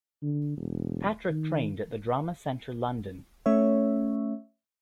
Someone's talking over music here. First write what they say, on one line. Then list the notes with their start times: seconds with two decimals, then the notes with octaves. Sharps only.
Patrick trained at the Drama Centre London.
0.22 D3
0.57 E1
1.30 D#3
3.46 A3 C#4 C#5 E5